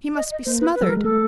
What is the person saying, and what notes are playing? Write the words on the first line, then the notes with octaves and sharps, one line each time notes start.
He must be smothered.
D#5
D#5
A#3 C5
B4
B4
F#3 A4
G3 A#4
G#3
A3 A4